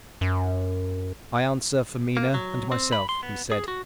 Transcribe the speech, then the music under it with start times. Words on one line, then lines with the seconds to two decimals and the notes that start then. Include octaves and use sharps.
"I answer for Mina and myself," he said.
0.21 F#2
2.17 A#3
2.34 F#3
2.72 C4
2.92 B5
3.09 C6
3.23 B3
3.52 G#4
3.68 F#4